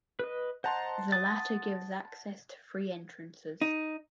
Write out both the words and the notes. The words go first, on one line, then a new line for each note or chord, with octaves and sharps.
The latter gives access to three entrances.
B4 D#5
C5 D#5 F#5 A5 A#5 C6
D#6 A6
D#4